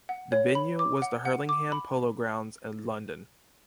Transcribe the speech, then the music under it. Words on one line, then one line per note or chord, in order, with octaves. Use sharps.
The venue was the Hurlingham Polo Grounds in London.
F#5
C#5
B5
D6
F#5
F#5
D6
B5